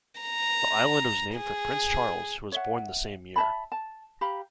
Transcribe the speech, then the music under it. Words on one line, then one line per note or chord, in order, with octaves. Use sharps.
The island was named for Prince Charles, who was born the same year.
A#5
G#4
C#5 E5 F#5
E5 A5 B5
A5
G4 F5 A#5 B5